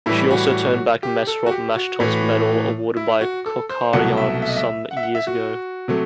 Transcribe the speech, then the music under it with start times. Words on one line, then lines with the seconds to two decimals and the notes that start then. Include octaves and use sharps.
She also turned back Mesrop Mashtots Medal awarded by Kocharyan some years ago.
0.06 A2 E3 G3 E4
0.31 F#4
1.03 G4
1.27 A4
1.46 F#4
1.51 G4
1.76 F#4
2.00 A2 E3 A3
2.97 E4
3.21 F#4
3.46 A4
3.69 C5
3.93 C2 B2 F#3 A3 F#5
4.17 E5
4.42 E5
4.49 D#5
4.56 E5
4.91 F#5
4.97 E5
5.03 F#5
5.15 E5
5.27 F#4
5.88 C3 F#3 A3